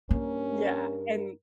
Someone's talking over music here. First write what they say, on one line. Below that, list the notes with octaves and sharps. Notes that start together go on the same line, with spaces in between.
Yeah, and
G2 A#3 C#4 A#4